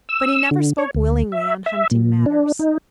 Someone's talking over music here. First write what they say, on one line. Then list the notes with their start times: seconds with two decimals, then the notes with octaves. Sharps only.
But he never spoke willingly on hunting matters.
0.09 E6
0.51 D3
0.78 C#5
0.95 D2
1.32 E5
1.66 E5
1.91 A#2
2.26 D4
2.59 D#4